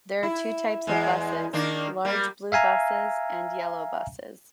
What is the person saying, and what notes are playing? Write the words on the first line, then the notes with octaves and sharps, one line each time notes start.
There are two types of buses, large blue buses and yellow buses.
E4
E2 G#3
D#3 A#3 D4
G3 A#3
E5 F5 G#5 A#5